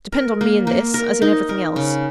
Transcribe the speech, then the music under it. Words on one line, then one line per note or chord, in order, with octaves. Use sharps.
Depend on me in this, as in everything else.
A#4
A#3
A#3
A#4
D#4
A#4
C#3